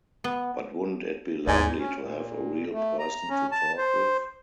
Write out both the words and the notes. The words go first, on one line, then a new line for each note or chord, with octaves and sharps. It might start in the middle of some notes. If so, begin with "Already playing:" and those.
But wouldn't it be lovely to have a real person to talk with?
B3
D#2 G#2 A3 D5 G#5
C#4
A#2
A3
A#5
C#4
A5
C5